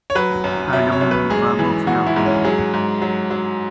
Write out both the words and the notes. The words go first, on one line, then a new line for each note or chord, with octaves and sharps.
Adam Webb of Yahoo!
C#5
F#3 B4
F#2
F#2 E5
C#5
F#2
B4
G#2 G#4
E3
E3 F#4
E4
G#2
C#4
F#3 G#4
G#2
F#3
F#3